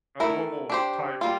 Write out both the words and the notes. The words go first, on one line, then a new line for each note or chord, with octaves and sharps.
a normal type,
A3 E4 A#4
D4 G4 C5
G3 A#3 F4